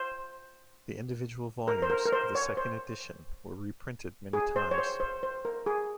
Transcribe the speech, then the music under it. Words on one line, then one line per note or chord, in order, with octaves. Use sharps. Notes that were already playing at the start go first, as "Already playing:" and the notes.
The individual volumes of the second edition were reprinted many times.
Already playing: C5
A#4
C5
A#4
A#4
C5
C#5
C5
G#4
C5
C#5
C5
C5
C5
A#4
G#4